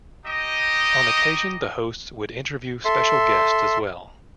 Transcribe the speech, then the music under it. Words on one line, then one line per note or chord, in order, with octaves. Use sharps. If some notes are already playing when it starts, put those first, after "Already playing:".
On occasion the hosts would interview special guests as well.
D#4 G4 D#5
A4 E5 C6